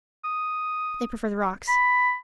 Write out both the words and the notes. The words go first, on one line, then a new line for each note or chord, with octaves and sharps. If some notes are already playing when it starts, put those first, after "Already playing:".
They prefer the rocks.
D#6
B5